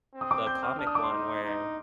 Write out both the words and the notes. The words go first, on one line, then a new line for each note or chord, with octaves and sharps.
the comic one where,
C4
D#6
D6
G6
F6
D4 F6
D#6
D6
C6
D#4
D#4